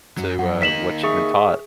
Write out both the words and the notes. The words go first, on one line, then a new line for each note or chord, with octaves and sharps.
to, uh, what you've been taught,
F#2 F#3
F#2 F#5
A#3 D#4 B6 E7 F#7
G#4 E5 C#6